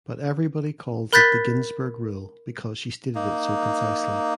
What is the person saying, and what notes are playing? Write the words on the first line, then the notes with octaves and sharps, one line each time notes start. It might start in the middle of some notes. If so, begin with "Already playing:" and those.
But everybody calls it the Ginsburg rule because she stated it so concisely.
A#4 B5 F#6 G6 A6 B6
A#3 D#4